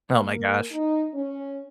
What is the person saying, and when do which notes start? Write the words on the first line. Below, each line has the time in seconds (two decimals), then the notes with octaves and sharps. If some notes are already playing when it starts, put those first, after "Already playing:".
Oh my gosh.
0.14 A#3
0.71 D#4
1.13 C#4